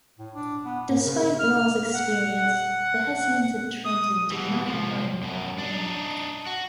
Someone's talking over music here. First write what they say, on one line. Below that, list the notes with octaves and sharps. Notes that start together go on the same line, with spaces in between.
Despite Rall's experience, the Hessians at Trenton did not admire their commander.
A2
D4
B3
G#2 A#3
C#3 A#4
F6
F#5
D#6
B2 E3
C2 F3
F#2 B2
D4 D#4
F#4